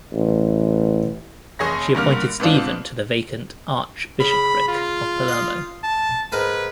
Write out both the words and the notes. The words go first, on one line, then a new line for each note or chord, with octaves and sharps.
She appointed Stephen to the vacant archbishopric of Palermo.
A1
F1 G#4 C#5 A#6
G2 D3 A#3 F6
G#2 B3 C4 D4 F4
C#3 B5
F4
D#5 F5
A5
G#2 A#4 B4 G#5